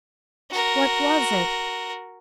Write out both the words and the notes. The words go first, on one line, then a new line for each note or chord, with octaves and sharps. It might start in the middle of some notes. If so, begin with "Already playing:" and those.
What was it?
F#4 A#4